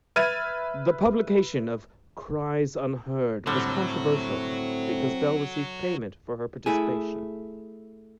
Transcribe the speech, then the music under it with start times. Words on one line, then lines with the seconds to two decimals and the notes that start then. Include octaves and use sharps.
The publication of "Cries Unheard" was controversial because Bell received payment for her participation.
0.16 B4 E5 F6 G#6 A6 D#7
3.47 A2 D3 F#3 G3 C4
6.66 A3 E4 G#4